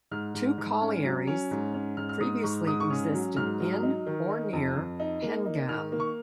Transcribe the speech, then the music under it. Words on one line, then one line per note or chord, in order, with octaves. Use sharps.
Two collieries previously existed in, or near, Pengam.
G#2 F6
G#2
G#2
C#4
F#3
C#4
G#2
C#4
G#2 F6
F6
G#2 D#6
G#2 C#6
G#2 D#6
C#6
C#4 D#6
F#3
G#2 F6
F#3
D#4
D#3
D#4
F2
F2
D#4
A#3
D#4
D#3 F6
A#3
C#6